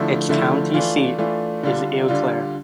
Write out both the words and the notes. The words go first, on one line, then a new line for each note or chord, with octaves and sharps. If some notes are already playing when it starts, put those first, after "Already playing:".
Its county seat is Eau Claire.
Already playing: D3 F3 A3 E4
D3 F3 A3 E4
E3 A3 D4 F4
E3 A3 D4 F4
D3 G3 D4 F4
D3 G3 D4 F4